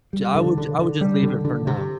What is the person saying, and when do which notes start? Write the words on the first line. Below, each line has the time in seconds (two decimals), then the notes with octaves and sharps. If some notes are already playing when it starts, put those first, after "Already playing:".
Ju I would I would just leave it for now.
0.13 G3
0.35 D3
0.58 D3
0.79 D3
1.01 G3
1.23 D3
1.45 D3
1.67 C3